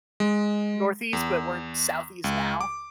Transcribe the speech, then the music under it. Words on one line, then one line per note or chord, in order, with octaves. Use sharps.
Northeast, but we're Southeast now.
G#3
E2
C#2
D6